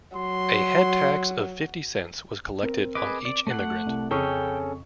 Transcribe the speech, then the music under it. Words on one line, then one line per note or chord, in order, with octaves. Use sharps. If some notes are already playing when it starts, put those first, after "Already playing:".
A "head tax" of fifty cents was collected on each immigrant.
F#3 C6
C4 A#4
G#4 B4 D#5 D6
D5
A3 F#5
C2
F2 C#3 C#4 G#4 A4 G5 C#6